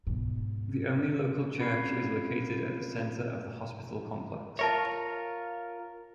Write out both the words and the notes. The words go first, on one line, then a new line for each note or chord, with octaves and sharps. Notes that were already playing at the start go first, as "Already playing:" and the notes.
The only local church is located at the center of the hospital complex.
G#2 B2
C4 C#4 F4 B5 G#6 C7
F4 A#4 C#5 E5 A5